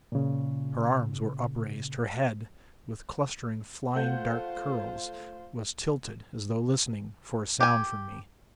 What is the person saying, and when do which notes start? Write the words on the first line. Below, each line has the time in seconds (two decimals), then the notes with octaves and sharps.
Her arms were upraised; her head, with clustering, flying dark curls, was tilted as though listening for a sound from me.
0.12 A#2 C#3
3.96 A3 F4 C5 F#5 G6
7.60 G4 G#5